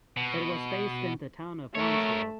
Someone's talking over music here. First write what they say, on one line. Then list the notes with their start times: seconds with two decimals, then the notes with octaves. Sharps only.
It was based in the town of Onslow.
0.17 B2
1.75 A3 A#4 C#5